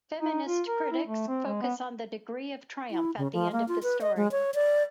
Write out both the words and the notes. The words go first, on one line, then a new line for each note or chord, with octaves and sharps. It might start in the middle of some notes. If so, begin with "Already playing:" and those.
Feminist critics focus on the degree of triumph at the end of the story.
D#4
F4
A#4
E4
A3
C4
G#3
B3
E4
C#3
F3
A#3
F4
B4
D#5
G#3
C#5
D5